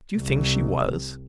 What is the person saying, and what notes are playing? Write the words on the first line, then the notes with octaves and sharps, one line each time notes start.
Do you think she was?
C2